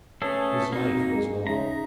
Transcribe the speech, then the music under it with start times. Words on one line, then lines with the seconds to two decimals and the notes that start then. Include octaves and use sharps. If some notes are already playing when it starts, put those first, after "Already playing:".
His life was long.
0.22 A3 C#4 G#4 A4 B4 C#5
0.72 A#3 C4 D#4 F#4
1.14 G#3
1.47 C#3 D#4 G#4 E5 A#5